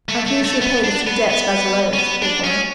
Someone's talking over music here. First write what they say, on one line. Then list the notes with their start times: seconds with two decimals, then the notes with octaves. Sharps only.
I can easily pay the few debts Basil owes, poor boy.
0.09 A3
0.26 A3
0.44 A3
0.61 B3
0.84 D4
1.07 B3
1.30 B3
1.93 C#4
1.98 B3
2.22 D4
2.44 C#4